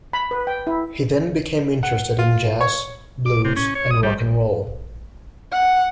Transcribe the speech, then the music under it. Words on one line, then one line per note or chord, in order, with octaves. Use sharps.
He then became interested in jazz, blues, and rock and roll.
B5
B4
G5
E4
F#5
F4
C#5
D6
C3
C#4
C#5
D#6
G3
F#5